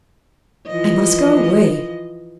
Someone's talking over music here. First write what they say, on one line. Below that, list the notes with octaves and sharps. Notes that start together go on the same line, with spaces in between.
I must go away.
E3 F3 D#5